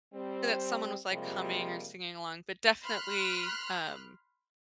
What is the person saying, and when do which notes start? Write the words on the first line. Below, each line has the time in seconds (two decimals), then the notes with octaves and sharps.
that someone was, like, humming, or singing along, but definitely, um,
0.14 G3 C4
1.10 C3 F3 G3 G#3 A#3
2.83 B5 C6 F6 F#6